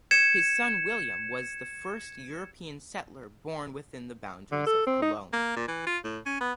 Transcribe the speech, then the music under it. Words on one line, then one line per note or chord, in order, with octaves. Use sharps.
His son William was the first European settler born within the boundaries of Cologne.
G#6 C#7 E7
D3
A4
C4
D#4
A#3
A#2
E3
F4
A2
C#4
B3